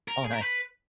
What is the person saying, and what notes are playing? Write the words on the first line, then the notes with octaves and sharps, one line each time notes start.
Oh, nice.
A#4
G#4
A#4
B4